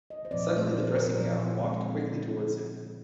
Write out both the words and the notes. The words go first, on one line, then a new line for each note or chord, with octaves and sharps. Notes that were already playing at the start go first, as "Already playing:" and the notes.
Suddenly the dressing-gown walked quickly towards him.
D#5
C5
A#2 F3 C4 D5
C5
A#2 F3 C4 A#4
A#4
A#2 F3 C4 D5
D3 G#3 C4